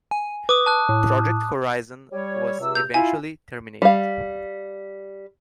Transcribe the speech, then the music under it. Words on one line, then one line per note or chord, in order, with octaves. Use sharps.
Project Horizon was eventually terminated.
G#5
B4 D6 D#6
A5 F#6
A2
G3 C#5
C#2 C3 E6
G6 F7
E4 F4 F5 G#5
G3 F5